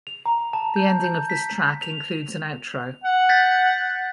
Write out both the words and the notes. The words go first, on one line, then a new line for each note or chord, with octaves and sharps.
The ending of this track includes an outro.
F7
A#5
A5
G6
G6
B6
F7
F#5
G6 A6 B6